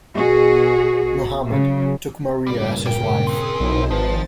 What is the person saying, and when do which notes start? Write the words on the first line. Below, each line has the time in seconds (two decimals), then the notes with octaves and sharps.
Muhammad took Maria as his wife.
0.14 B2 F#4 G#4
1.48 C#3 F#3
2.47 G2 A#2 C#3 G3 D5
2.86 G3 A#4 G5
3.27 C4 F4 G#4 D#6
3.60 B1 D#4 E4 C5
3.91 G#1 F3 B4 A6